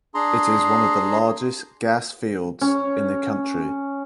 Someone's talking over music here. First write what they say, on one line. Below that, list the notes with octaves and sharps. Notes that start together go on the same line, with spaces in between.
It is one of the largest gas fields in the country.
D4 G#4 A#5 C6
C#4